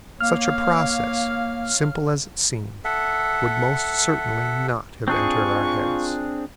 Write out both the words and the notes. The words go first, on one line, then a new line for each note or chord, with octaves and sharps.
Such a process, simple as it seemed, would most certainly not have entered our heads.
A#3 C#5 F5 F6
A4 E5 F#5
C4 D4 F4 G#4 C#6